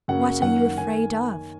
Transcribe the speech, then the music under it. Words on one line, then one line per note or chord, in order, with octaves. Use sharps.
"What are you afraid of?"
F#2 C#3 F#3 A#3 F#5
F#2 D#3 A#3 F#5
D#3 A#3 G#5